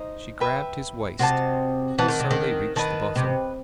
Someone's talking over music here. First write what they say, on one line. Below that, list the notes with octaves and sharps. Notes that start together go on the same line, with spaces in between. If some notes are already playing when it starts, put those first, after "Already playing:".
She grasped his waist, and so they reached the bottom.
Already playing: D#4 C5 D#5
B4 E5 G5
C3 F#4 C5 D#5 A5
E3 C5 D#5 F#5 A5
D#3
C3
D#3
D#3 B4 D#5 A5
C3